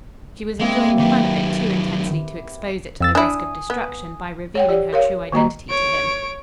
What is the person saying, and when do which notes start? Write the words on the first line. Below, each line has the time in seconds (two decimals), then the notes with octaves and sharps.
She was enjoying the fun of it too intensely to expose it to the risk of destruction by revealing her true identity to him.
0.61 G#3 A#3 C4 E4
1.00 F#2 D#3 G4 B4 B5
3.01 F2 E6 A6
3.15 D4 E4 G#5 D#6
3.70 B3
4.55 C#5 F#5 G5
4.69 G4 D5
4.93 A#4 C#5 F5
5.32 D#3 A#3 F#4 D#5 A#5
5.69 C#5 D7